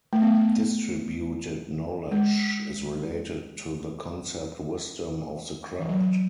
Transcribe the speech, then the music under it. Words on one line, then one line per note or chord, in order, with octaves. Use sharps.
Distributed knowledge is related to the concept Wisdom of the crowd.
A3
B3
G#3
E3
F#3